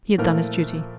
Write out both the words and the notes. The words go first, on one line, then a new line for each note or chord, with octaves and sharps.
He had done his duty.
A#2 F3 A3 E4 A#4